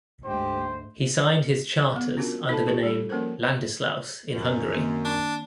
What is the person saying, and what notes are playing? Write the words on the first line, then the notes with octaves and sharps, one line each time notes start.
He signed his charters under the name Ladislaus in Hungary.
D2 G#2 G4 C5
F#3 B3
C#4 D4 F4 F#4 A#4
D#4 A4 A5
F4 G4
G3 D#4 A4
F3 A#3 C#4 F#4 A#4 C5
F#2
D#3 A#3 C4
D4